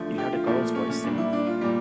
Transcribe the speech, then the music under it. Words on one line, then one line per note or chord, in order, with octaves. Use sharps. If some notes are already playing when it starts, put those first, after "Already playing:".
You heard a girl's voice singing?
Already playing: D3 F3 A3
G4
F4
A#2 F3 A3 E4
C#4
C#4
A#2 G3 D4
E4
D4
F4
A#2 G3